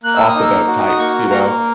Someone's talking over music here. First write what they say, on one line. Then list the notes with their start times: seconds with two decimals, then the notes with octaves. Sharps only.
off the boat types, you know?
0.04 A#3 F#6
0.16 E6
0.29 D#6
0.35 D#4
0.42 E6
0.67 F#4
0.89 D#6
0.99 A#3 C#6
1.30 A#3 A#5